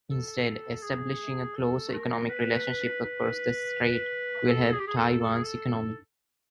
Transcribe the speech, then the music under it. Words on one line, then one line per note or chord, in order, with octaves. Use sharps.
Instead, establishing a closer economic relationship across the strait will help Taiwan's economy.
A4
G#4
A4
A#4
B4
B4
A4
G#4
G4
G#4
A4
A4
G#4
A4